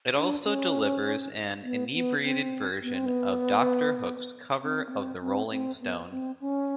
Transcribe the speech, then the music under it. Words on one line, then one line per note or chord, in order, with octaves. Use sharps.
It also delivers an inebriated version of Doctor Hook's Cover of the Rolling Stone.
D4
C#4
B3
B3
C4
B3
C4
B3
C4
B3
C4
C4
C4
B3
C4
C#4